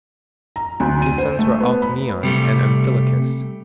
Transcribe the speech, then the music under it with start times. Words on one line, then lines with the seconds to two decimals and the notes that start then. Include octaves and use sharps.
His sons were Alcmaeon and Amphilochus.
0.56 A#5
0.80 D2
1.02 D#7
1.18 C5
1.39 A3
1.60 B3
1.82 B5
2.23 C3 G3 A3